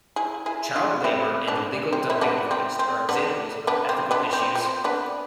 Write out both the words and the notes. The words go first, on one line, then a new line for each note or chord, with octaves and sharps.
Child labour and illegal dumping of waste are examples of ethical issues.
E4 G#4
E4 G#4
D4 F4
C4 E4
B3 D4
C4
E4
B3 D4
C4
C4
B3 D4
B3 D4
C4
B3 D4
C4
C4
B3 D4